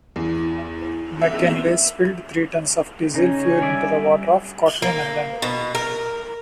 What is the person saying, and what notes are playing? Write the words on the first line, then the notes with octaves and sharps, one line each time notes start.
McKinley, spilled three tons of diesel fuel into the water off Kotlin Island.
E2
E5
C#3 C#4 D#4 G#5
G3 D5 E5
A#3
B2
A#4